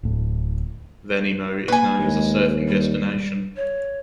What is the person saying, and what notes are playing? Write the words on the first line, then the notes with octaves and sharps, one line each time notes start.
Vanimo is known as a surfing destination.
D1 A2
A#3 B4 G#5
D#2 G#3
G3
C#5